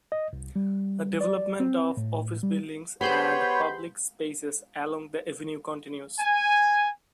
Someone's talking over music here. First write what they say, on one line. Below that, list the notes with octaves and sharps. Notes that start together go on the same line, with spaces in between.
Development of office buildings and public spaces along the avenue continues.
D#5
C2
G3
D5
C4
A2
G3
B3 G4 G#4 C5 C#5 B5 C6 G6
G#5